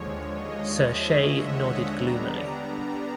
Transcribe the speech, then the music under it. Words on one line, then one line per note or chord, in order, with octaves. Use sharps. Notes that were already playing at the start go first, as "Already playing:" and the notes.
Sir Shay nodded gloomily.
Already playing: D#2 D3 F3 G#3 C#5
D#5
E5
F#5
D3 G3 B3 D4 A#5